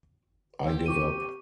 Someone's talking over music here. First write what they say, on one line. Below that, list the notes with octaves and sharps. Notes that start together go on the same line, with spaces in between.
I give up.
C4 G4
C#6 D6 D#7